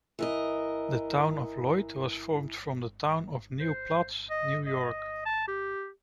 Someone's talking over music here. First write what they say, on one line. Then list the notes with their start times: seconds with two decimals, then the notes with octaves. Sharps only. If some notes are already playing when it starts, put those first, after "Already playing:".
The town of Lloyd was formed from the town of New Paltz, New York.
0.19 E3 A#4 D#5
3.60 C5
4.30 D#5
4.66 D#5
5.25 A5
5.47 G4